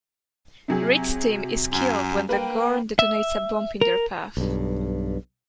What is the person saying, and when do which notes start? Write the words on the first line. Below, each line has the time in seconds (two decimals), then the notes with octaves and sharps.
Reed's team is killed when the Gorn detonates a bomb in their path.
0.68 C3 F#3 G#4
1.73 F#2
2.29 A#3 B4 G5
2.99 E5
3.81 A#4
4.37 B1 G2